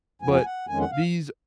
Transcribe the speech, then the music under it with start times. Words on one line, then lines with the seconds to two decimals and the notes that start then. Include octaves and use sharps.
But these
0.22 F2 F3 B3 G#5
0.33 G#5
0.45 F#5
0.68 F2 D#3 G#3 C#4 G#5
0.80 F#5
0.92 F5